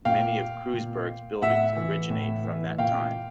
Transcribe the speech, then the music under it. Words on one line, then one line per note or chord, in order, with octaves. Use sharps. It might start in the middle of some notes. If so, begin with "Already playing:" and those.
Many of Kreuzberg's buildings originate from that time.
A#2 F5 G5
A#2
A2 E5 F#5
E3
A2
E3
A#2 F5 G5